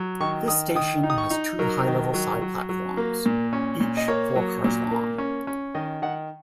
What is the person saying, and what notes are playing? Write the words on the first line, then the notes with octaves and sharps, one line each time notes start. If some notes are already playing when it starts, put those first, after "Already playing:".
This station has two high-level side platforms, each four cars long.
Already playing: F#3
D#3 C#6
D#3 D#6
D#3 D#6
D#4
D#6
C#6
D#4
F#3 A#4
D#3
F#3
F#3
F#3
A#3
A#2
C#4
A#2
D#5
A#3 C#5
F#3
A#2
A#3
C#4
C#4
D#3 D#5
D#3 F#5